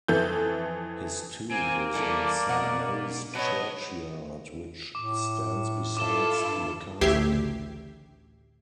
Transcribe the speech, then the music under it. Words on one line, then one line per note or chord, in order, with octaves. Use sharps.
His tomb is in Saint Mary's churchyard which stands besides the castle.
F2 E3 A4 G6
A#3 C4 G#5
G3 E4 A4 D5
B2 D#5 F#5
F#3 B3 B4 C#5 D#5 A5
A2 D6
E4 F4 A4 D6 E7 G7
G2
A1 D2 G4 E5 G#6 C7